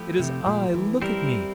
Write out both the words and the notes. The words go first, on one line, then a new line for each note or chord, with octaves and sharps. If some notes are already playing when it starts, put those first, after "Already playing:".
It is I! Look at me!
Already playing: F3 A3 E4 G4
C3
A#2
E3
G3 C4 E4 A#4